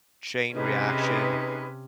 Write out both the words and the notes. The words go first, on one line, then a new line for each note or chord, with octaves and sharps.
chain reaction.
C3 C#4 D#4 G#4 B4